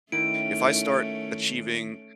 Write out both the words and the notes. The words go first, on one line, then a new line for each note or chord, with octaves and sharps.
if I start achieving
D#3 A3 C#4 E4 D7